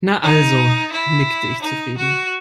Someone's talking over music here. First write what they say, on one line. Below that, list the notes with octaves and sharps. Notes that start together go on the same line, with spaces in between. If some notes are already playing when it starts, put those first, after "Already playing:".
"Na also", nickte ich zufrieden.
D#4
E4
D#4
F#4